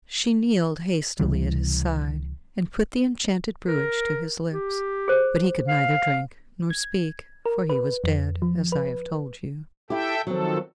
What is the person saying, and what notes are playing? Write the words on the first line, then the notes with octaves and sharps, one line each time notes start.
She kneeled hastily at his side, and put the enchanted brewage to his lips, but he could neither drink nor speak, for he was dead, as I have told you.
C#2 C3 E3 G3
A#4
G4
G#4 C5
F5
G#6
A#4
B4
F2
F3
B4
E4 G4 A4 E5 G5
D#3 F3 F#3 C4 A4